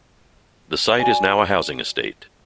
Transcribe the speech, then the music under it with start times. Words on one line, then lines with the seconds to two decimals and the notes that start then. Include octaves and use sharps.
The site is now a housing estate.
0.97 F#4 D5 G#5